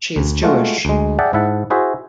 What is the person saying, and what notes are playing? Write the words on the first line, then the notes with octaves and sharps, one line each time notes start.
She is Jewish.
D2
G#3 A3 F4 F#4
D2 G#3
G#4 D5 E5 F#5 G5 A5
G#2 E4 E5 F#5 A5
E4 F#4 G#4 C5 E5